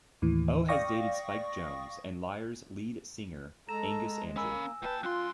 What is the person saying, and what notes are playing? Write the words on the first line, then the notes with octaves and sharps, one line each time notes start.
O has dated Spike Jonze and Liars lead singer Angus Andrew.
D#2 A2 E3
D5 F5 G5 C#6 D#6 A#6
G#3 A4 A#5 A#6 E7
A#3 C#4 G#5 B5 E6
A#2 B4 G5 A5
F#2 F4 C6 F#6